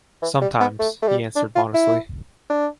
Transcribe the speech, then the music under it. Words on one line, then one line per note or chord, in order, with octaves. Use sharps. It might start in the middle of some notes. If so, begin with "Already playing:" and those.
"Sometimes," he answered modestly.
E3
G3
B3
A3
A3
G3
D4
F4
E4
D4